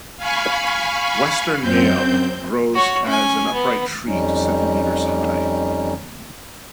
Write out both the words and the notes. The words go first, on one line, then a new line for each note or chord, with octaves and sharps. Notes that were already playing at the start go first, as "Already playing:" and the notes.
Western myall grows as an upright tree to seven metres high.
F5 G#5 B5 C#6
F#2 C4 G6
F#4 C#5
C#4 G#5
B3
F2 G3 C#4 D#4